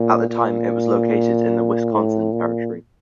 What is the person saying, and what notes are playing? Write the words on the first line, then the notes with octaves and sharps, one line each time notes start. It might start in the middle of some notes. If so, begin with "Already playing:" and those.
At the time, it was located in the Wisconsin Territory.
Already playing: A#2
A#2
A2
A#2